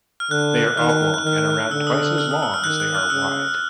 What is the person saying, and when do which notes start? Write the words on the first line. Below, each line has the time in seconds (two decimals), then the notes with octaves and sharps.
They are oblong and around twice as long as they are wide.
0.20 F6
0.31 D3 F#6
0.77 D#3 F6
0.89 F#6
1.02 F6
1.14 F#6
1.24 D#3 F6
1.38 F#6
1.50 F6
1.71 D3 E6
1.87 D#6
2.03 E6
2.18 F6
2.31 D#6
2.43 E6
2.54 F6
2.64 D#3 F#6
2.80 F#6
2.95 F6
3.10 C#3 E6